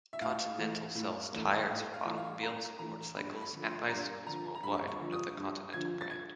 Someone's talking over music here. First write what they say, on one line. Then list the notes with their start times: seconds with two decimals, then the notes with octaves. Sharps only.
Continental sells tyres for automobiles, motorcycles, and bicycles worldwide under the Continental brand.
0.13 E5
0.21 A2 F5
0.58 E3 A3
0.95 A2
1.33 E3 A3
1.69 A2 F5
1.94 F5
2.06 E3 A3
2.18 F5
2.42 A2 A#5
2.79 E3 A3 A#5
3.16 G2 B5
3.41 B5
3.53 D3 F3
3.65 C6
3.89 G2 A#5
4.26 D3 F3 A#5
4.55 A#5
4.63 G2 B5
4.88 C#6
5.00 D3 F3
5.12 D#6
5.37 G2
5.73 D3 F3 G#6
6.01 A6
6.10 G#6